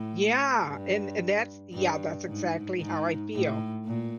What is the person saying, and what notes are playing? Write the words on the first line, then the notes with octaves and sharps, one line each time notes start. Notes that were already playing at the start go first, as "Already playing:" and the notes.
yeah, and and that's yeah, that's exactly how I feel.
Already playing: A2
G2
G2
G#2
G#2
A2
A#2